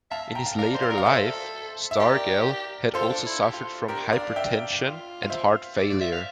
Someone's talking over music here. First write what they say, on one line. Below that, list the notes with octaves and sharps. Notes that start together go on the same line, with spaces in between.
In his later life, Stargell had also suffered from hypertension and heart failure.
E5 F5 A5
G5 A#5
F5 A5
A#4 D5 F5
C5
D5 F5
A#4
F5
A4 C5 E5
E5
G4 A#4 D5
F4 A4 C5
D4
E4
G4
F4
F4
D4 G4 A#4
D5 F5
E5 G5
F4
F5
C5 E5
D5
D5
E5
F5